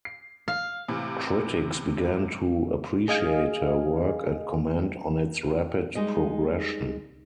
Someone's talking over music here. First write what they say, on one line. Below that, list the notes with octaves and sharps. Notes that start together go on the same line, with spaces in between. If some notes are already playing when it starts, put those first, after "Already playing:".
Critics began to appreciate her work and comment on its rapid progression.
C7
F5
A2 C3 E3
G#4 D#5 F5 G#5
G3 G#3 D#4 G#4 D#5